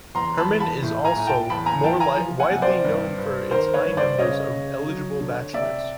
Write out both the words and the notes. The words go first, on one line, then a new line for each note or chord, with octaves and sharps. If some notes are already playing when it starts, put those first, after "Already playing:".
Herman is also more widely known for its high number of eligible bachelors.
E2 A#5 C6
A5 B5
E2
A5 B5
A2
G#5 A#5
A2
G5 A5
E2 A5 B5
G#5 A#5
E3 G5 A5
G#5 A#5
F3
F#5 G#5
C3
C5 D5
G2
G2
D#3 A#4 C5
B4 C#5
G2
C5 D5
C#3 C#5 D#5
C#3
F#3
D3
C3 D5 E5